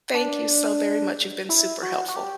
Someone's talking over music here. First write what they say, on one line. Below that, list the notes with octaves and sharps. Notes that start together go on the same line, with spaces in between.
thank you so very much, you've been super helpful.
D4
E4
F#4
F#4
G4